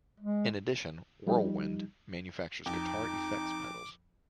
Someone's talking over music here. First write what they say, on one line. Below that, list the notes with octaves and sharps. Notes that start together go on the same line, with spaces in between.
In addition, Whirlwind manufactures guitar effects pedals.
G#3
F3 G3 D#4
F2 D#4 D6